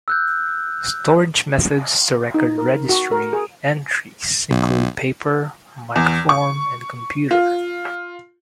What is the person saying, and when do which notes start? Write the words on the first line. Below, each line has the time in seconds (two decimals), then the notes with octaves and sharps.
Storage methods to record registry entries include paper, microform, and computer.
0.08 E6 F#6 G6
2.34 D#4
2.58 A#4
2.89 F#4
3.12 A#4
3.33 G#4
4.51 B1
5.96 E2
6.29 C#6
7.31 F4